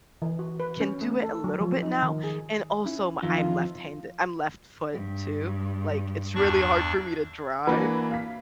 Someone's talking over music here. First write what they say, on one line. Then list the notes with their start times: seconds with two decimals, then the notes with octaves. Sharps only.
can do it a little bit now, and also, I'm left hande I'm left foot too, like, it's really hard for me to drive.
0.22 E3
0.39 F#4
0.60 B4
0.81 C#4
1.02 A3
1.24 A4
1.44 F#3
1.61 F3
1.83 D#4
2.03 D#3
2.24 G#4
2.84 C#4 E4
3.22 F2 D#3 E3 F4
4.92 G2
6.35 E2 D4 C#6
7.67 E3 A#3 D4 F#4 B4
8.11 F5 B6